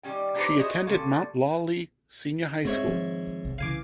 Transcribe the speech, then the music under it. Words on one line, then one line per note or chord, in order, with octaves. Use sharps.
She attended Mount Lawley Senior High School.
D#3 G3 C#4 G5
A#3 D4 D#4 G4 B4 C5
F#4 G#4 C5 C#5 D#5 E5
C#3 G3 A#3 C4 A4
G#2 C4 C#5 E5
D#3 F3 C4
C2
C2 C#3 E3 F5 G#5 D6